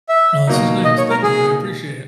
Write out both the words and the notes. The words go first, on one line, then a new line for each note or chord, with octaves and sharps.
No, this was nice. Thank you, I appreciate it.
E5
B2 F#3 A#3 D#4
D#5
C#5
A#4
G#4